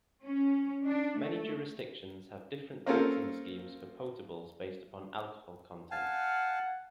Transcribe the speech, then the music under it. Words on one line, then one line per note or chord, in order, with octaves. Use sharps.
Many jurisdictions have different taxing schemes for potables based upon alcohol content.
C#4
D4
A3
A#3 C4 C#4 F4 A4 A#4
F5 F#5 G#5 A5